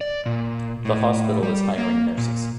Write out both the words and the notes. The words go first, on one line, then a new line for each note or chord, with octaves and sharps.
The hospital is hiring nurses.
D5
A#2
A2
G3
A#3
A#2